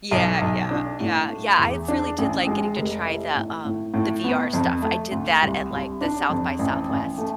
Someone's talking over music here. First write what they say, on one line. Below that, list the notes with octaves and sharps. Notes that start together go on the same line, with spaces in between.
Yeah, yeah, yeah, yeah. I really did like getting to try the, um the VR stuff. I did that at, like, the SXSW
B1
B1
D4
A2
A3
E2
D4
A1
G#3
F1
E4
A2
A2
A2
B3
F2
A3
D2
C2
C2
D4
F2
A1
A1
A3